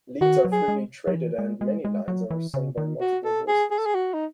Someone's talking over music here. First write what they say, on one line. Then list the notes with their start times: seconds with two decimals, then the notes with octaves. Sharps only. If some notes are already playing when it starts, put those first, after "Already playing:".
Leads are freely traded, and many lines are sung by multiple voices.
0.21 D#3 F#4
0.45 F#3
0.52 G#4
0.68 G#3
1.07 F#3
1.15 E3
1.38 G#3
1.61 G#3
1.85 G#3
2.08 F#3
2.30 E3
2.54 C#3
2.77 D#3
3.01 F#4
3.24 A4
3.48 G#4
3.71 G#4
3.78 A4
3.86 G#4
3.94 F#4
4.14 D#4